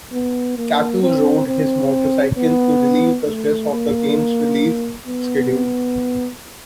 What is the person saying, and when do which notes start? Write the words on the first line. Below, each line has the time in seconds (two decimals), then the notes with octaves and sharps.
Kato rode his motorcycle to relieve the stress of the game's release schedule.
0.12 B3
0.57 A#3
1.02 C4
1.47 C4
2.37 B3
3.27 A3
3.72 A#3
5.07 B3